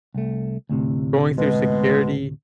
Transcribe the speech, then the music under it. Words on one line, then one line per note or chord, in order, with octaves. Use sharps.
going through security,
C2 A3
D2 A2 C3
B2 G#3